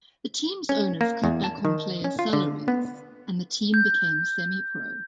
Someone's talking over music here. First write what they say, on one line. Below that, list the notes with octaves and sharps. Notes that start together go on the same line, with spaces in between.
The team's owners cut back on players' salaries, and the team became semi-pro.
C#4
A#3
E2
A5
D#3
C#4
F4
D3
B3
G6